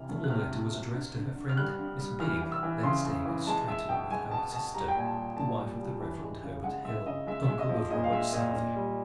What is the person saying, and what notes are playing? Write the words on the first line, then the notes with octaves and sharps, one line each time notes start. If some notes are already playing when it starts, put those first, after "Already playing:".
The following letter was addressed to her friend Miss Bigg, then staying at Streatham with her sister, the wife of the Reverend Herbert Hill, uncle of Robert Southey.
Already playing: C3 E3 F6
A3
F#6
C3 F6
A3
C3
D3
D3
D3
F6
G3 F#6
D3
G3
E3 F6
E3
E6
E3
C#3 C6
C#3
E3
G#3 A5
G#3 E5
B2 G5
G#3 G#5
B2 A5
B2 A5
G3 A#5
G5
A#2 G#5
A5
G3
A#2 A5
G3
G3
E3
G#3
C#3
G#3 F#5
G#3 E5
C#3 D#5
G#3 E5
E5
G#3
D#5
F3
D#5
A#2 D#5
F5
G#3 E5
A#2 D#5
A#2
G3